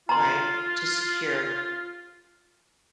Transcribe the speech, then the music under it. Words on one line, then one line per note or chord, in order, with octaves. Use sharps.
right, to secure,
F4 A#5 C6